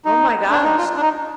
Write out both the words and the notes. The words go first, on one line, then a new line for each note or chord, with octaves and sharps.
Oh my gosh.
D#4
D4
D#4
F4
D4
D#4